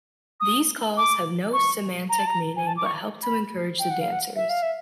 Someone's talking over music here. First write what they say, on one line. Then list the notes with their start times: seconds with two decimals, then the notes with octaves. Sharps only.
These calls have no semantic meaning but help to encourage the dancers.
0.40 D#6
0.97 D6
1.53 C#6
2.10 A#5
2.19 A5
2.27 A#5
2.56 G#5
2.67 A5
2.77 D6
2.86 C#6
3.23 B5
3.79 G5
3.90 F#5
4.01 F5
4.12 F#5
4.36 E5
4.49 F5
4.63 E5